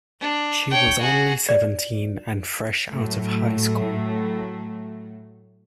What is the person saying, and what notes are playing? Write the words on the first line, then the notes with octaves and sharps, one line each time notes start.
She was only seventeen and fresh out of high school.
D4
C#5 G5
F#4 G#4
D5
A2 F#3 A3